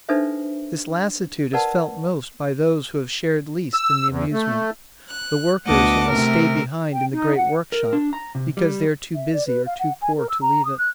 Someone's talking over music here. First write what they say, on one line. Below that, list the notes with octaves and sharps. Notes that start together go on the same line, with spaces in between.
This lassitude is felt most by those who have shared least in the amusement, the workers who must stay behind in the great workshop because they are too busy or too poor to leave it.
D4 D#4 A4 B4 C5 E5
A#4 B4 D5 F#5 A5
E6
E2
A3
F#6
D2 B3 D#5 F#5 A5 D6
C3 A3 A#4
G5
D#4
F#5
A#4
D4
A#5
C3
G3
E5
D5
B4
F5
F#5
G#5
A#4
E6
A#5
D#6
F#6